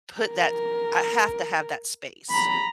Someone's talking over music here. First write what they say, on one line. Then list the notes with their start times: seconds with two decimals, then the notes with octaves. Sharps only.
put that I have to have that space.
0.20 A#4
2.30 A#5 B5